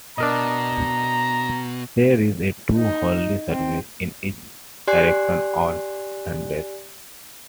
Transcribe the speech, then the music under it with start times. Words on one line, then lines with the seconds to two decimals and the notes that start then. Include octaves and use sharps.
There is a two hourly service in each direction on Sundays.
0.18 B2 D4 A#4 D#5 A#5
2.77 D#4
3.49 C4
4.87 G4 D5 G#5 C6 F#6 C7